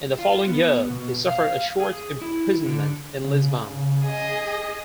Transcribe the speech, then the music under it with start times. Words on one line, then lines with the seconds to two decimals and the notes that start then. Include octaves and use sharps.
In the following year he suffered a short imprisonment in Lisbon.
0.19 F4
0.47 B3
0.90 B2
1.27 F5
1.80 G#4
2.22 E4
2.66 D3
3.24 C#3
4.01 G#4 D#5